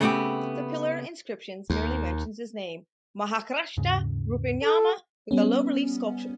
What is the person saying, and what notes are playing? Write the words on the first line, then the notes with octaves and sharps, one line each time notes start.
The pillar inscriptions merely mentions his name Mahakshtrapa Rupiamma with a low relief sculpture.
C#3 A3 B3 C4 G4
D#2
D#2 G#2 C#3
A4
G3 B3 C#4